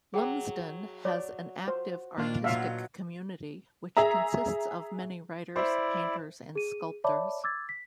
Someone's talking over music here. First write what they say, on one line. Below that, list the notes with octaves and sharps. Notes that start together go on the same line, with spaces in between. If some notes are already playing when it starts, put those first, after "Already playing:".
Lumsden has an active artistic community, which consists of many writers, painters and sculptors.
F#3 G#4 G5 A#5
C#5 D5
C5
A#2 D#3 D4 F4
B2 F#3 F4 E5 F5
G#4 E5 A#5
E4 C5 D5 E5
G#4 D#7
C#5 D5 E5 A5 B5 D6
D6 E6 G#6 A6
B6